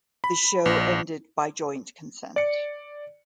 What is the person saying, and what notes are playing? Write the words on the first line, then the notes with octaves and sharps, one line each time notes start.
The show ended by joint consent.
B5
A#1
D5 C#7